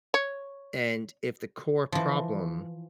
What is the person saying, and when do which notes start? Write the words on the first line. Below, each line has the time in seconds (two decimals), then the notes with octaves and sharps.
and if the core problem
0.14 C#5
1.92 E3 F3